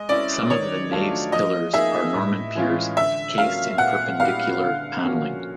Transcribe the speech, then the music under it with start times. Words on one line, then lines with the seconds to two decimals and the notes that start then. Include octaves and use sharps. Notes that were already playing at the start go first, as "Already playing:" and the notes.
Some of the Nave's pillars are Norman piers cased in Perpendicular panelling.
Already playing: G#3 D#5
0.09 C#4 E4 D5
0.50 D#3 C#5
0.91 F#3 A3 D4 F4
1.32 F3 D#5
1.73 A#3 D#4 G#4 E5
2.15 A2
2.56 E3 G#3 C#4 F4
2.97 D3 E5
3.37 F#3 A#3 C#4 F4 F5
3.78 A#2 F#5
4.20 G3 B3 E4 G4 F5
4.61 D3
5.02 F3 A#3 C#4 F#4